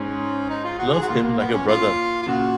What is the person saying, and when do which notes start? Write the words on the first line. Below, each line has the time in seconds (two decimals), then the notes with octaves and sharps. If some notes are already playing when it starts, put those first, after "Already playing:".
Love him like a brother!
Already playing: G#2 C#4
0.49 D#4
0.64 F4
0.79 F#4
0.93 G#4
1.02 F#4
1.08 A#2 F4
1.22 A#3
1.38 B3
1.53 C#4
1.67 F4
2.22 F4
2.26 A#2 C#3 F#4